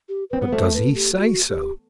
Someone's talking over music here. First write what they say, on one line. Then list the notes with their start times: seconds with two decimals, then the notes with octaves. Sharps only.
"But does he say so?"
0.09 G4
0.30 C4 B4
0.42 B3 B4
0.53 A3 C5
0.73 B4
0.95 G4
1.17 F#4
1.49 G4